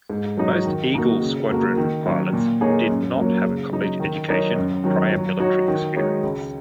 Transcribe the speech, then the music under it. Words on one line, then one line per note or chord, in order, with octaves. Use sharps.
Most Eagle Squadron pilots did not have a college education or prior military experience.
G#2
F#3 D#4 F#4
D#3
A#3 D#4 F#4 A#4
C#3
A#3 F#4 A#4
D#3
F#3 C#4
A#2
A#3 D#4 G#4 C#5
F#2
F#3 A#3
C#3
F#3 D#4
D#3
F#3 D#4 A#4 C#5
F#2
D#3 F#3
F#3
D#4 F#4 C#5
D#3
G#3 D#4 F#4 C#5
C#2